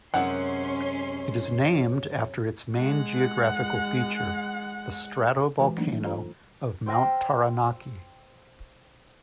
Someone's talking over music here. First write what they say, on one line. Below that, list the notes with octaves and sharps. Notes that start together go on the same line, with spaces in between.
It is named after its main geographical feature, the stratovolcano of Mount Taranaki.
F#2 C3 G#3 C#4 C#5 F#5 C6
G#3 F#5
E3 G#3 F#4 B4
E3 F#3 A3 A#3 D4 D#4
F4 A4 C5 A#5
C5 G5 C6 E6 F6 A#6